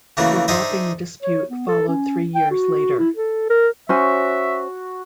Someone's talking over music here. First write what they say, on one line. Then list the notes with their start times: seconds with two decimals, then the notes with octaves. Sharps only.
The Wapping dispute followed three years later.
0.17 C#3 E3 A3 A#3 F#4
0.48 D4 D#4 G#4 C5 D#5 E5
1.23 C#5
1.49 B3
1.68 A4
1.88 C#4
2.35 G5
2.51 F#4
2.99 E4
3.16 A4
3.50 A#4
3.89 C#4 F#4 C5 E5 G#5